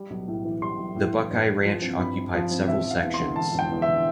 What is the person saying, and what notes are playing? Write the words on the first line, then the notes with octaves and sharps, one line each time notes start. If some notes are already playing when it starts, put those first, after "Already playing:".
The Buckeye Ranch occupied several sections.
Already playing: G3
B1
A2
E3
G3 C6
B1
A2
E3
G2
G2
F3
C4
G2 B5
G2
F3 F5
C4
E1 E5
E1
F5
E2
C6
D3
E1 A5
E1 G5
E2
E5
D3